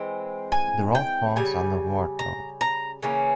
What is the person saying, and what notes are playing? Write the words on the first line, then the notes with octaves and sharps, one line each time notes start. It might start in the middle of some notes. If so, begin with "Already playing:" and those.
The road falls under Ward no.
Already playing: E3 G#3 C4
G#5
G5
C#3 G3 G#5
A#5
A#5
C#3 E3 A#3 C#4